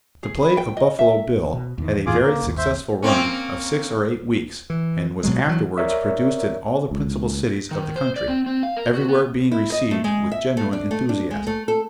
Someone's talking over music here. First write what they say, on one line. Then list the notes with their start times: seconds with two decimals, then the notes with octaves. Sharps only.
The play of "Buffalo Bill" had a very successful run of six or eight weeks, and was afterwards produced in all the principal cities of the country, everywhere being received with genuine enthusiasm.
0.23 G#4
0.42 B5
0.57 G5
0.77 D#5
0.99 E5
1.53 B2
1.78 E2 D3 D#3
2.06 E2 A2 E3 F4 G#4 D6
2.21 C#3 A#3
2.43 G1 D#2
2.58 C5 E5
3.02 A#3 C4 C#4
4.70 E3
5.23 B2 F#3 G#3
5.47 E3 F#3
5.78 A#4 C#5 D5 E5
6.91 C#2
7.71 D#3
7.96 C5
8.16 D5
8.28 C4
8.46 C4
8.63 F5
8.77 A#4
8.94 F#4
9.09 B3
9.52 E4
9.72 D#5
9.91 A3
10.04 G#3
10.32 E5
10.57 A3
10.73 D4
10.91 A3
11.09 D4
11.31 G#3
11.47 A3
11.68 A4